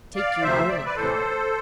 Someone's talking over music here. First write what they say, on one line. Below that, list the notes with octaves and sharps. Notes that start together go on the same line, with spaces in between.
Take you warning, Pierre!
D5 F5
D2 C3 F3 C5 E5
D5
E5
B4 D5
A2 E3 A4 C5